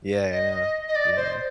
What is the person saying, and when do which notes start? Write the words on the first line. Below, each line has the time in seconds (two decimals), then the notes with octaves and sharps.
Yeah, I know. Yeah.
0.31 D#5
0.88 D#5
0.96 D5
1.16 C5